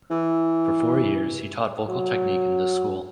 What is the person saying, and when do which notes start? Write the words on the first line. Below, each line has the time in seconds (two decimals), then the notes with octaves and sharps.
For four years he taught vocal technique in this school.
0.11 E3
1.88 F#3